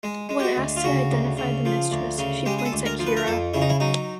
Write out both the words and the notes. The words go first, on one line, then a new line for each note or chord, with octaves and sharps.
When asked to identify the mistress, she points at Kira.
G#3
G#3
G4
F#4
D2
F4
C#3 F#4
D2
C#3
F3
D2
C#3
G#3 G4
G#4
A4
D2
A#4
F3
B4
A#4
F2 A4
C#3 E4
D#4
E4
F#3 D#4